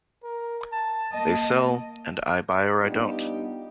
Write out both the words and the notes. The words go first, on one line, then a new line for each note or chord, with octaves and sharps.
They sell and I buy or I don't.
A#4
A5
A#3 D#5 A5
G3 B3 D4 D#4 F4 G4